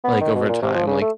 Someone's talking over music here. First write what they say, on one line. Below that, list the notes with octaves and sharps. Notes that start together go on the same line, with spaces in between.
Like, over time, like,
B3
D#3
B2
A#2
C3
F3
C#3
A3